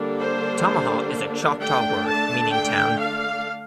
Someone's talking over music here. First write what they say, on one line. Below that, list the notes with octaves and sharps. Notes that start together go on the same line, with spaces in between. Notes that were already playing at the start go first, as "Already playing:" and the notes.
Tamaha is a Choctaw word meaning town.
Already playing: D3 G3 A#3 D4
C5
D3 A3 D4 G5
A5
G5
F5